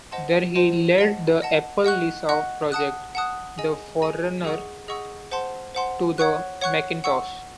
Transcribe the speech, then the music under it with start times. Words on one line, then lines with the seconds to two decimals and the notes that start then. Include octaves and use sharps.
There he led the Apple Lisa project, the forerunner to the Macintosh.
0.11 C5 D#5 F#5 A5 C6
0.56 C5 D#5 F#5 A5 C6
0.98 D#5 F#5 A5
1.42 D#5 F#5 A5
1.85 D#5 F#5 C#6 F#6
2.29 D#5 F#5 C#6 F#6
2.72 F#5 A5 D#6 F#6
3.15 F#5 A5 D#6 F#6
3.58 G#4 D#5 G#5
4.02 G#4 D#5 G#5
4.45 G#4 D#5 F#5 C#6 E6
4.88 G#4 D#5 F#5 C#6 E6
5.31 C5 F#5 A5 C6
5.75 C5 F#5 A5 C6
6.18 C#5 F#5 C#6 F#6
6.61 C#5 F#5 C#6 F#6
7.04 F#5 C#6 E6